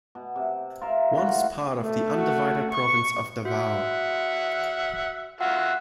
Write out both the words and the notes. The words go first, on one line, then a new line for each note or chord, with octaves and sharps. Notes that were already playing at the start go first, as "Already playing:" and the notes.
Once part of the undivided Province of Davao.
B2
C3
F4 A#4 E5
A2 F4 F#4
A3
F#4
C#6
F#4 E5 F#5
F4 F#4 E5 F#5